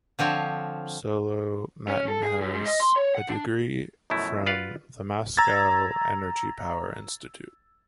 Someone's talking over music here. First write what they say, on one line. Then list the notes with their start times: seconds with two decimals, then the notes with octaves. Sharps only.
Solomatin has a degree from the Moscow Energy Power Institute.
0.19 D3 F3 C4 C#5
1.88 C#4
2.08 A4
2.23 G#4
2.41 F#2
2.53 G#2
2.66 D#5
2.80 C6
2.96 C#5
3.15 F#5
3.29 D4
4.10 F#2 B2 F3 A3 E4
4.46 F4 B4 D5 F5 F#5
5.37 A#5 E6 G#6 A6